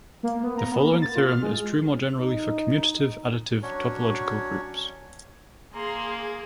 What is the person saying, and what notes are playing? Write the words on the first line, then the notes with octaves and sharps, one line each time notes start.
The following theorem is true more generally for commutative additive topological groups.
A#3
B3
A#5
B3
A#3
A6
F4
F6
G#3
D#4
F#3 C#4 D4 C#5
A#3 G#4 A#5 C6